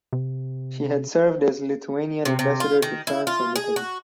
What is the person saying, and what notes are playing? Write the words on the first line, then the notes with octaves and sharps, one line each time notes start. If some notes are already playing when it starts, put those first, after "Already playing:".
She had served as Lithuanian ambassador to France and Italy.
C3
C3
C3
F4
D#3
E4
F4
G#4
F#4